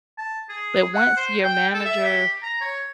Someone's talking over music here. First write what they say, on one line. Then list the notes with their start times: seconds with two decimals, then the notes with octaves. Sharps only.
but once your manager
0.18 A5
0.49 G#4
0.94 F#5
1.17 C5
1.43 G5
1.73 A4
1.85 E5
2.04 G4
2.42 A#5
2.61 C#5